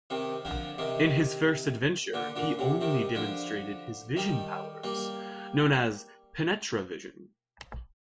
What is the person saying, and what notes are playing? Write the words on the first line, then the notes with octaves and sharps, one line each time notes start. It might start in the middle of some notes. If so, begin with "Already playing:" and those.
In his first adventure he only demonstrated his vision powers, known as "penetra-vision".
C3 D#3
D3 F3
C3 D#3
A#2 D3
A#2 D3
C3
C3 D#3
D3 F3
D#3 G3
G3 A#3